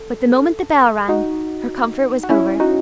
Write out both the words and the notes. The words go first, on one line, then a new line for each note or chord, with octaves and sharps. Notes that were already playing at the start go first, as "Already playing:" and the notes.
But the moment the bell rang her comfort was over.
Already playing: A4
D#4 F#4
F#4
C#4 E4
D#4 F#4